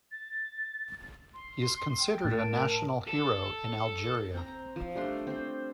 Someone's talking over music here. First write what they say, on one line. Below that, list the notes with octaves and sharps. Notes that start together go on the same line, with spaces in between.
He is considered a national hero in Algeria.
A6
C6
G5
A2 A6
A#4 A5 D7
A4
C4 A#5
F3
G3 A3 D4 C6
C4 C5